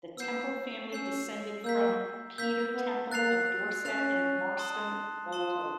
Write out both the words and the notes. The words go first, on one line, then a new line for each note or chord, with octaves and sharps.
The Temple family descended from Peter Temple, of Dorset and Marston Boteler.
B3 E6 G6 C7 E7
C#4 E6 G6 C7 E7
A#3 E6 G6 B6
A#3 E6 G6 B6
B3
A#3 F#6 A6 C7 F7
C#4 F#6 A6 C7 F7
A5 C6 D#6
F4 A5 C6 D#6